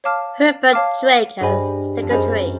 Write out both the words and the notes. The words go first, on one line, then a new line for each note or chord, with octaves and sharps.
Herbert Drake as secretary.
C#5 F5 A5 D6 F6
C#5 F5 A5 D6 F6
G2 G#4 C5 D#5 G#5 B5
F2
F#2 G#4 C5 D#5 G#5 B5